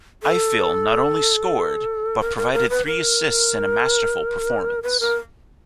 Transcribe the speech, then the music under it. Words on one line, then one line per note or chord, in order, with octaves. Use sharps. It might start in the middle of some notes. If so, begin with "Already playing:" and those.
Ifill not only scored, but provided three assists in a masterful performance.
A4
A#4
A#4
A#4
B4
A#4
B4
A#4